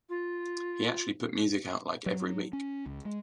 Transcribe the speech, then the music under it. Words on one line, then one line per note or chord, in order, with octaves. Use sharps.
He actually put music out like every week.
F4
F#3
C#4
C#2
G#3